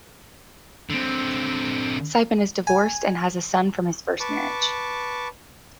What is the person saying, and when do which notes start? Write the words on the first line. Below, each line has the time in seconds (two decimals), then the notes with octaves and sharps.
Siepen is divorced and has a son from his first marriage.
0.90 D3 C4
2.67 G#5
4.20 B4 A5 C#6 D6